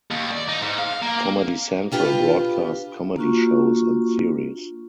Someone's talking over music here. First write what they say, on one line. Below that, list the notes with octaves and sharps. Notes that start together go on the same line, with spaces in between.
Comedy Central broadcast comedy shows and series.
D#2
D5
D#4
G#2
F5
A#3
D4 F4 G4 B4
A#3 D4 F4 F#4 C#6